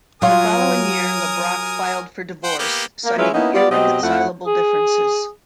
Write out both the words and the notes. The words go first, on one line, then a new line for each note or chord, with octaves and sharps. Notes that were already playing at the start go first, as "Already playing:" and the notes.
The following year, LeBrock filed for divorce, citing "irreconcilable differences".
F#3 F4 A#4 G#5 D#6
C5 F#5 G5
A#3 B3 G4
A#3
F#3 G#3 C#4 E4 F4 B4
A#3 B3 C#4 D#4 E4 B4
G3 B3 F4 D5
B2 F#3 C4 G4 D#5
F2 A3 E4 F#5
G#4